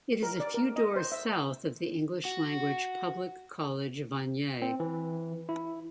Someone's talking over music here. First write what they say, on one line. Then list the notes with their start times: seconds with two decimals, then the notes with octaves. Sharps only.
It is a few doors south of the English-language public college Vanier.
0.23 A#4
0.40 D5
0.54 A#4
0.76 D#5
0.96 C5
1.12 E5
2.25 F#4
4.62 C4
4.80 E3
5.49 E4